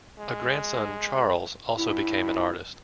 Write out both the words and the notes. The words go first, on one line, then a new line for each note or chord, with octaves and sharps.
A grandson, Charles, also became an artist.
G#3
G2 E4